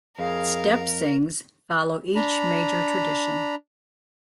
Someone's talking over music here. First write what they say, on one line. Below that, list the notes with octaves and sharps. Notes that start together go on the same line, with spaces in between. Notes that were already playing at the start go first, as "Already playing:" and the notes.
Step Sings follow each major tradition.
F2 G#4 A#4 F5
D4 A#5 B5